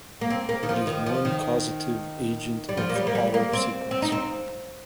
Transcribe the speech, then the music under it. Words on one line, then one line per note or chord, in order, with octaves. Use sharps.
It is one causative agent of Potter sequence.
A#3
C4
A#3
D#3
F3
D#3
F3
D#3
G3
F3
A#3
G3
A#3
G3
A#3
C4
C4
D#4
C4